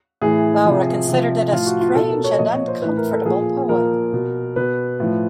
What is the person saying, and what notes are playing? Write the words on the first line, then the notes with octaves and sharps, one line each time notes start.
Bowra considered it "a strange and uncomfortable poem".
A2 E3 G#4
C3 F3
C3 F3
A2 F3 F4
F#4
F4
B2 A4
A#4
C#5
A#2 F3 D#5
C#5
C5
A2 E3 B4
A#4
A4
A#2 F3 G#4
A#2 F3 A#4
B2
B2 B4
A2 F3